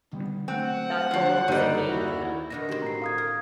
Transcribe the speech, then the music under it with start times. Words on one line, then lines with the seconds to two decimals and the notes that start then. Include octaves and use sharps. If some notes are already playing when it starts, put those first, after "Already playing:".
That goal was a game-winner.
0.13 D3 G3 B3
0.48 F#3 A3 C4 F#5
1.11 D3 F3
1.48 F#1 F#2 D3 D#3 G3 A#3 D#4
1.86 D#2 E4 F#4
2.50 B2 D3 D#3 A#6
2.69 A2 C4 F#4 G4
2.82 A#5 C7
3.02 F5 D#6 G#6
3.18 A#4